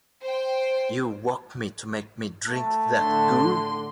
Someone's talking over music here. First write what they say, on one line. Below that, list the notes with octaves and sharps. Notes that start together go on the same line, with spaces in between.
You woke me to make me drink that goo.
C5 G5
A3 A5
A2 D3 C6